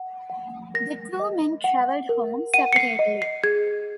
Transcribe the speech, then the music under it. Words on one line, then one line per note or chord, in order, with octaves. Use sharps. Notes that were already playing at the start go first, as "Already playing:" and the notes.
The two men traveled home separately.
Already playing: F#5
F#5
A#4 A#6
D#5
F#5
A#4
F#5 D#7
C#7
C7
D#5
C7
G#4 G#6